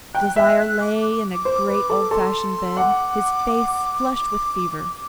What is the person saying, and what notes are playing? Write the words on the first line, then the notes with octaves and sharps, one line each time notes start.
Desire lay in a great old-fashioned bed, his face flushed with fever.
G5 F#6
E5
D6
C5
B4
A4
A4 C6
F#5 D6